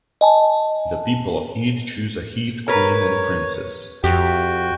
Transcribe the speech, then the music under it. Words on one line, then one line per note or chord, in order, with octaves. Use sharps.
The people of Ede choose a heath queen and princess.
D#5 G#5 A5
A#4 B4 C#5 A#5
F2 F#4 G4 G5